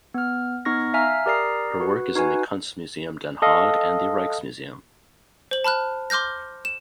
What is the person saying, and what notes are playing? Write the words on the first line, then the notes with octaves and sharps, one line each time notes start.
Her work is in the Kunstmuseum Den Haag and the Rijksmuseum.
B3 F6
B3 D#4 C#6 F6 A#6
E5 F5 G#5 A#5 F6
G4 A#4 D5 A#5 D#6 C7
F#4 B4
D#4 F#4 B4 G#5
A4 D#5 F5
C5 F#7
A5 B5 F6 F#6
C6 D6 F6 G6 A#6
E7